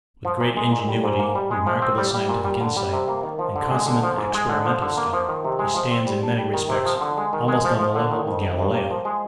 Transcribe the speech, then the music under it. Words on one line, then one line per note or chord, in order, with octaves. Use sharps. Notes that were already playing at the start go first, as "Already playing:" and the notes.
With great ingenuity, remarkable scientific insight, and consummate experimental skill, he stands in many respects almost on a level with Galileo.
F3
A#2
G#3
A#2
G3
G#2
A#3
G3
G#3
F3
C4
G3
G3
A#2
G3
D3
G3
C3
A#3
D#3
F3
D3
G#3
D3
F3
G#2
G#3
D3
F3
D3
A#3
F3
D#3
C3
G#3
F3
C4
G3
D4
G3
D#3
C3
F3
D3
G#3
D#3
G#3
F3
F3
D3
D#3
F2
D#3
G2
A#3
F3
G#3